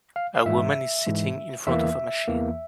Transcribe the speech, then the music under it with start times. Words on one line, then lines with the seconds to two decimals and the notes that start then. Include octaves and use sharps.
A woman is sitting in front of a machine.
0.16 F5
0.35 F5
0.46 G#2 E3 G#3 E5
1.06 G#2 E3 G#3
1.67 E2 E3 A#3 E5
2.28 E2 E3 A#3